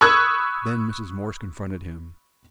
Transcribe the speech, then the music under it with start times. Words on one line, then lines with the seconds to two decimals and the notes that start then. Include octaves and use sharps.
Then Mrs. Morse confronted him.
0.01 B5 C#6 D#6 E6 F#6 G#6